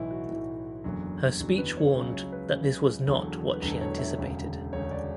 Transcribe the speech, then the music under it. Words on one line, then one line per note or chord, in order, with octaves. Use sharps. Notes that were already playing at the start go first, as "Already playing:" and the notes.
Her speech warned that this was not what she anticipated.
Already playing: B1 A2 E3 E4
F#4
B1 A2 E3
F#1 E2 D3 F#3
F#1 E2 D3 F#3
B4
C#5
C#2 C#3 F#3 C#5
C#5
B4
C#2 C#3 F#3
E1 E2 D3 F#3 A4
B4
E1 E2 D3 F#3 A4
C#5
E5
E1 D2 C#3
E1 D2 C#3 C#5
D5